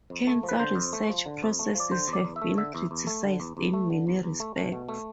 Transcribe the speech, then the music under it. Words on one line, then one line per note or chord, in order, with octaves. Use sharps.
Cancer research processes have been criticised in many respects.
F2
A3
F3
B4
D3 C5
F2
A3
F3
D3
F2
A3
F3
D5
D3 C5
E2
D5
E2
E5
A3
D3 E5
E2
E2
A3
D3
E2
E2
A3
D3
E2
E2
A3
A3
B2
A3